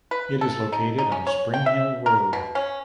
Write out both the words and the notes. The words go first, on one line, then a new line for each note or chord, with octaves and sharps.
It is located on Springhill Road.
B4
A4
D#4
D#4
C#4
C#5
G5
E5
A#4
B2
C#4